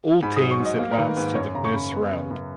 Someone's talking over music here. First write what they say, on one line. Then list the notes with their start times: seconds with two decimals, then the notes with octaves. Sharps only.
All teams advanced to the first round.
0.22 G#2 B5
0.36 D#6
0.41 F#3
0.51 C#6
0.59 G#2
0.65 D#5
0.79 A#3
0.91 A#4
0.98 D#3 B4
1.17 G#2 B4
1.35 F#2 C#5
1.55 C#3 A#5
1.65 C#6
1.73 F#2 B5
1.92 B3
2.12 C#3
2.31 F#2